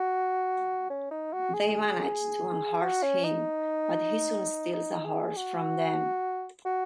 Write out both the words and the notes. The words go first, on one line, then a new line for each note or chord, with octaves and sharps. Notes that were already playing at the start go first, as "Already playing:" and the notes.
They manage to unhorse him but he soon steals a horse from them.
Already playing: F#4
C#4
D#4
F#4
G#4
F#4
C#4
D#4
D#4
G#4
F#4
F#4